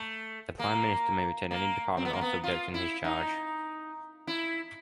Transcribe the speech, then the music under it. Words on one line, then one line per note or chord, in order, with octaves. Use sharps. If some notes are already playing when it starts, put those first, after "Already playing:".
The Prime Minister may retain any department or subject in his charge.
Already playing: A3
A#3
A#3
C4
B3
A#3
B3
F4
E4
D#4
E4